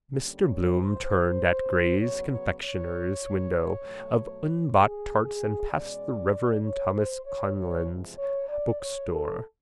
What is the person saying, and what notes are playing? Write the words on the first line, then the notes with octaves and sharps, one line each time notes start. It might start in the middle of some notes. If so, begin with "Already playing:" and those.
Mr Bloom turned at Gray's confectioner's window of unbought tarts and passed the reverend Thomas Connellan's bookstore.
D#2 D3 G3 A#3 C#4
C#5
C5
C5
C#3 F#3 B3 C#5
C#5
C#5
B2 F#3 A3
G#4
G#4
E2 B2 G#3 C#4 D5
C#5
C5
C#5
E2 C3 F3 G#3 C#5
C#5
D5
C#5
A4